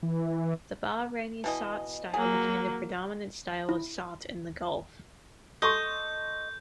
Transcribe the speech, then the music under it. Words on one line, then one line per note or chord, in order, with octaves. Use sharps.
The Bahraini "sawt" style became the predominant style of "sawt" in the Gulf.
E3
B2 E3 D#5
F#3 A#3 G#4
E4
A4 D#5 C6 C#6 G6